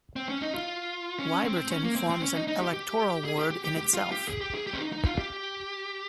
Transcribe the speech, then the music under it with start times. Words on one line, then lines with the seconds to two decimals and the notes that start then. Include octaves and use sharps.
Wyberton forms an electoral ward in itself.
0.16 C4
0.29 C#4
0.42 D#4
0.54 F4
1.19 C#4
1.44 C4
1.71 C#4
1.84 A#3
1.96 C4
2.09 C4
2.23 C#4
2.35 D#4
2.48 D#4
2.61 G4
2.74 G4
3.25 G#4
3.39 G4
3.50 G4
3.64 G4
3.77 G4
3.94 F4
4.12 G4
4.28 G#4
4.41 G4
4.55 G#4
4.67 G4
4.73 C#4
4.80 D#4
4.93 D#4
5.05 F4
5.18 G4